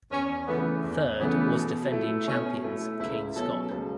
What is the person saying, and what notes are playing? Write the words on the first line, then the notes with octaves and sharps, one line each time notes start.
Third was defending champions Kayne Scott.
E2 C#4
C#3 E3 A3 B3
E2
C#3 E3 A3 B3
B2
A3 E4
B2 C#4
A3 E4
C#2 E4
B2 F#3 C#4 A4
C#2